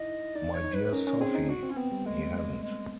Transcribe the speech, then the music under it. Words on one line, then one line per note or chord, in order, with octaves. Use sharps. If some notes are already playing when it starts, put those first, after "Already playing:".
My dear Sophie, he hasn't.
Already playing: D#4 E4 D#5
D#4 D5
C#5
D#4
B4
B4
C#4 A#4
C#4
C4 G#4
D#4
D4 F#4
C4
C#4
B3 C4
G3
G#3 A3
G#3
G#3